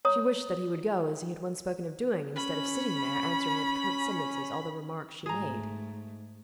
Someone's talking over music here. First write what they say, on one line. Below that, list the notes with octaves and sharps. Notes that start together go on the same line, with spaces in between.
She wished that he would go, as he had once spoken of doing, instead of sitting there, answering with curt sentences all the remarks she made.
C#5 A#5 D#6
C#4 B5
G#2 A3 G#4 A#5